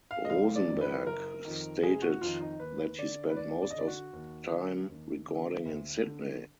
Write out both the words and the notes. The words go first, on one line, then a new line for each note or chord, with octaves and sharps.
Rosenberg stated that he spent most of time recording in Sydney.
F5
D#5
F#1 F5
D5
F2 D#3
B4
F#1 A#4
F2 D#3
F#1 G#4
F#4
F2 D#3 F4
D#4
D#2 B4
D3 D5
B4
D#2 D5
D5
D#5
D3 D5
F#4
D#2
D3
D#2
D3
D2
D3